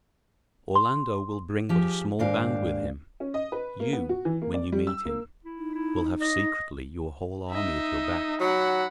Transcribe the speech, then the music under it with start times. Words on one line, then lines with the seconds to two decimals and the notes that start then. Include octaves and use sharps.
Orlando will bring but a small band with him: you, when you meet him, will have secretly your whole army at your back.
0.76 C6
1.69 F3 G4 G#4
2.19 D#2 G#2 D4 G4 A#4 F5
3.20 C#4
3.34 D#5
3.52 B4
3.80 A#3
3.93 B3
4.09 F#4
4.25 E3
4.42 A#3
4.54 D5
4.72 G3
4.87 E6
5.05 A#3
5.45 E4
5.58 D#4
5.75 E4
6.21 D#5
7.52 D#4 D#5 E5
8.41 F#3 F#5 B5